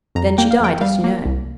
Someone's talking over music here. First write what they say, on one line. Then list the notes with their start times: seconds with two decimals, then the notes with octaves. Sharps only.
Then she died, as you know.
0.15 F2 A#5
0.38 A#3 G5
0.51 F5
0.60 F2 G5
0.81 G3 F5
1.04 A#3
1.25 C2